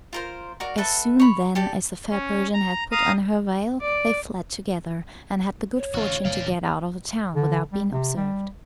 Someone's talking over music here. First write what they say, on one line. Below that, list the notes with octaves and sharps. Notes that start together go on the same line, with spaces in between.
As soon, then, as the fair Persian had put on her veil they fled together, and had the good fortune to get out of the town without being observed.
F4 A#4 C5
F#4 A#4 D5
A4 B4 E5 F#5
C#5 B5
G4 A4 D5
C#4
A#5
F5 A#5 D#6
D5
C#5
A1 D3 F4 F#4
F#1 D3 A3 D5 F5
D#1
D3
G3
C3
G3